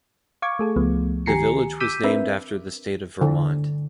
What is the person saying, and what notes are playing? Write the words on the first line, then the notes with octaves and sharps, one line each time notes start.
The village was named after the state of Vermont.
F5 C#6 D6 G#6
A3 G#4 A4
C#2 F3 A3 B3
D#3 G4 G#5 A#5 C7 C#7
D6 E6 G6 B6 D#7
C4 D4 A#4 B4 E5
D3